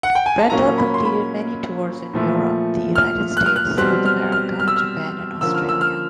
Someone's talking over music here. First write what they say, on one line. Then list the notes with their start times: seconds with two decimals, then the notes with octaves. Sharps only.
Brendel completed many tours in Europe, the United States, South America, Japan and Australia.
0.03 F#5
0.15 G5
0.26 G#5
0.39 A5
0.50 A#2 F#3 A#3 C#4 A#5
0.78 B5
0.94 C6
1.05 B5
2.13 A#2 F3 A3
2.95 F6
3.37 F#6
3.46 F6
3.56 F#6
3.77 B2 G3 C4 F#6
4.05 F6
4.32 F6
4.60 F6
4.68 E6
4.76 F6
5.41 D3 F3 A#3 C#4 E6
5.54 F6
5.69 E6
5.81 F6